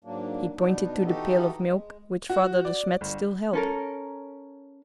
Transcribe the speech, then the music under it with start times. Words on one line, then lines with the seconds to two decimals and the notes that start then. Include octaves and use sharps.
He pointed to the pail of milk which Father De Smet still held.
0.05 G#2 F#3 A#3 D4
0.56 B2 B3 D4 D#4
1.05 E3 D#4 F#4 G4 A4 D#5
1.64 G#3
2.30 F#4
2.65 D5
3.01 G1
3.53 C#4 A4 A#4